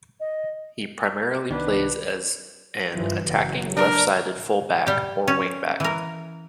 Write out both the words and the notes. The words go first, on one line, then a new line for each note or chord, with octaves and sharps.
He primarily plays as an attacking left-sided full-back or wing-back.
D#5
C2 D#3 B3 D4 B4
G2 E3 F3
F#1 F#3
D4 A#4
G3 G4
C#4
E3 A#4